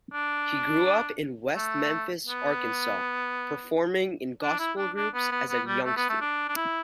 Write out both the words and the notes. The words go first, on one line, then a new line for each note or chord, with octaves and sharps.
He grew up in West Memphis, Arkansas, performing in gospel groups as a youngster.
D4
A3
B3
D4
E4
D4
D4
B3
B3
B3
G3
A3
B3
A3
D4
D4
E4